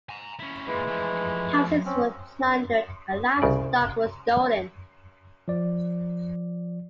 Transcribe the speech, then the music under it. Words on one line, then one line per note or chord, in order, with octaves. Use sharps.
Houses were plundered and livestock were stolen.
G#5 A#5
C#4 E4
A#2 E3 G#3 E4
F3 A3
C4 C#4
C2 C#3 D5
F3 D5